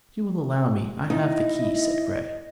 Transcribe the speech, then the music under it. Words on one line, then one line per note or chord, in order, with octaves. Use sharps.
"If you will allow me, I have the key," said Grey.
D#4 E4 D#5